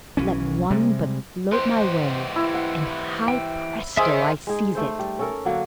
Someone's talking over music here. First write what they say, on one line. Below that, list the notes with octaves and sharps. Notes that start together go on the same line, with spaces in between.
Let one but float my way, and, hi, presto, I seize it.
B1 E3 C#4
C3 G3 G#3
E3 G4 C5
E4
F#5
G5
D#3 G#4 C5 D#5 E5 E6
G#3 D#4 G#4
A3 A4 C5
G3
C#4 A4 A#4
D3 F#3 A#3